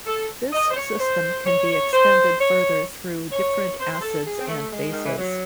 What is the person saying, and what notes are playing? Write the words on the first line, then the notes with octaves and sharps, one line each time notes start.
This system can be extended further through different acids and bases.
A4
D#5
C5
C#5
C5
C#5
C5
C#5
C#5
C5
C5
A4
G#4
C4
A3
G#3
D#3
E3
F#3